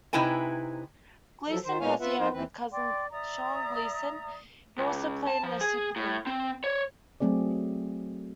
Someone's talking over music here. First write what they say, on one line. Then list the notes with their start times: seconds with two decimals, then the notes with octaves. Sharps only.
Gleeson has a younger cousin, Sean Gleeson, who also played in the Super League.
0.13 C3 D#4 E4 B4 G5 G#5
1.49 F3 F#3 A4
1.65 D#3 C5
1.80 A#2 G#3 B3 C#5 F5 G#5
2.00 B3 F4 B4 E5 F#5
2.19 F3 C4 D#4 F4 A#4 C5
2.33 D#2 E3 C4 B4
2.71 D5 G5 C6 D6
3.11 D5 E5 A#5 D#6
4.78 C#2
5.27 A5
5.43 F3
5.61 G#4
5.96 A2
6.27 C4
6.64 C#5
7.20 F#3 A3 C4 G#4 D5